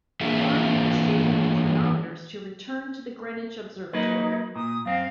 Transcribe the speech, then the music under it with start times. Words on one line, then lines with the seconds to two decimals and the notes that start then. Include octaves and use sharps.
Flinders gave him the chronometers to return to the Greenwich Observatory.
0.21 E3 A#3 D4 F4 G#4 E5
3.93 F#3 A#3 D#4 B4
4.55 A#2 D#6
4.85 F#2 C4 F5